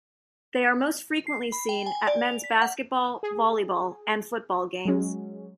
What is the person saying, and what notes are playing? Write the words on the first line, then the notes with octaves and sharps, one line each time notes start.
They are most frequently seen at Men's basketball, volleyball, and football games.
C7
B5
G5
G#5
D5
F7
B6
F#5
G#4
F#3 G#3 C#4